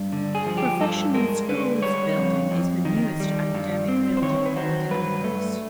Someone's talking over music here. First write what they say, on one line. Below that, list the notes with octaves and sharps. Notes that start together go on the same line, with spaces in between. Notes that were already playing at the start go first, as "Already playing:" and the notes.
The Professional Schools Building is the newest academic building on campus.
Already playing: G2
D3
G#4
F3
G4
G2 A4
G#3 A#4
D3 B4
G3 C#5
F2
F2
D#3
G3
G2
C4
C5
D#3 C#5
B4
F#3 C5
G2 B4
A3